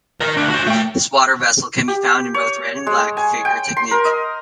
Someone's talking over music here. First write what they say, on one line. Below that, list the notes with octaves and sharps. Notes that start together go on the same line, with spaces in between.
This water vessel can be found in both red- and black-figure technique.
A#4 D#5
D2 D4
F#4 C5
A3 G5
G4
C#5
G#3
G#5
G5
C6
A#4
D#5